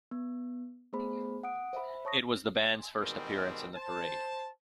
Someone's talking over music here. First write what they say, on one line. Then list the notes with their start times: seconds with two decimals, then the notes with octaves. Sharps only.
It was the band's first appearance in the Parade.
0.11 B3
0.93 A3 B3 G#4 C5 B5
1.43 F#5 D#6 D7
1.73 C5 E5 B5
2.05 C#5 A5 C#6 D#6 A#6
3.01 B2 D#3 G3 G#3 C4
3.75 C5 A5